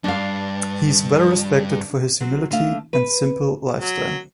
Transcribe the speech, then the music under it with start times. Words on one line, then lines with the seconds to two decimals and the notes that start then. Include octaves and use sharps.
He is well respected for his humility and simple lifestyle.
0.04 G2 D4 F5
2.20 F#3 C4
2.51 D3 A3 F5
2.93 B4
3.80 F#3